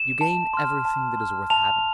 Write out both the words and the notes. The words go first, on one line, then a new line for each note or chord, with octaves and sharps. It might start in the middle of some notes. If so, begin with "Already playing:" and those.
You gain everything that is worth having.
Already playing: E7
A5
C6 F6
A5
C6 F6
A5 F7